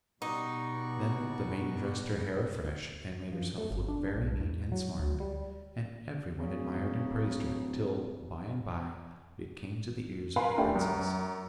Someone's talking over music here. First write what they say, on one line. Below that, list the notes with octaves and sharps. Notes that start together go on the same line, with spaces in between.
Then the maiden dressed her hair afresh, and made herself look very neat and smart, and everyone admired and praised her, till by-and-bye it came to the ears of the princess.
B2 G3 D#4 F#4 D5 C#6
F3
A3
G1
D4
B1
E2
F#3
D2
G3
D1 C#3
A#4 B4 F5 G#5 B5 C6
A3 D4 E4 G4 E5
F#2